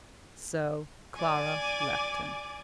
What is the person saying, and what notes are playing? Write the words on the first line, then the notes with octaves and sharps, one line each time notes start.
So Clara left him.
D5 G#5